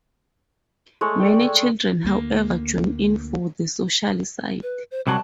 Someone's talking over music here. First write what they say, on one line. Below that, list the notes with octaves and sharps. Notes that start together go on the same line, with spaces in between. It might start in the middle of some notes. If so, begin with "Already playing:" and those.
Many children however join in for the social side.
G#3 A3 C#5
A4 D5 G5
D2 A#3
B4
C5
C2 C3 F#3 A5